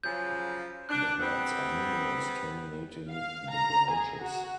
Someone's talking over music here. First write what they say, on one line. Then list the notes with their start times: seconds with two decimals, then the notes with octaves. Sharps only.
The heads are numerous terminating the branches.
0.04 C#3 F3 F#3 G6
0.89 D4 F#6
1.18 G3 B3 C4
3.11 F5
3.50 A#5
3.91 G#4
4.21 F#4